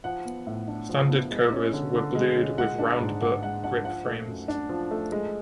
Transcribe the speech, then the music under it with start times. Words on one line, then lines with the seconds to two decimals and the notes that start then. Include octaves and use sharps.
Standard Cobras were blued with round-butt grip frames.
0.04 F3 F#5
0.25 B3
0.47 A2
0.68 D4
0.89 F3
1.10 B3
1.31 G#3
1.53 C#4
1.73 D3
1.94 D3
2.15 G#3
2.37 C#4
2.57 G#3 F#5
2.79 D4
3.00 G#2
3.21 G#2 F#5
3.42 G#3 F#5
3.64 D4 F#5
3.84 F3 F#5
4.06 A3
4.27 F#2
4.48 D4
4.69 F3
4.91 A3
5.12 G#3